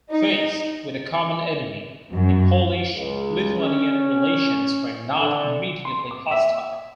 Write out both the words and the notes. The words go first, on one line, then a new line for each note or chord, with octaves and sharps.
Faced with a common enemy, the Polish-Lithuanian relations were not immediately hostile.
D#4
F#2
C#2
C#4
D3
C6
D6
E5